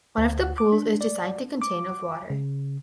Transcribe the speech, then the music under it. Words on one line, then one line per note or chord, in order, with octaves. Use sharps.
One of the pools is designed to contain of water.
D2
D6
D4
D5
D6
C#3